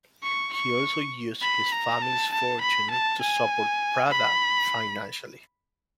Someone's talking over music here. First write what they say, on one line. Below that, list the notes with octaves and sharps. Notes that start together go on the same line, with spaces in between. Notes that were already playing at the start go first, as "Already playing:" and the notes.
He also used his family's fortune to support "Pravda" financially.
C#6
C#6
B5
A#5
A5
A5
B5
A5
G#5
B5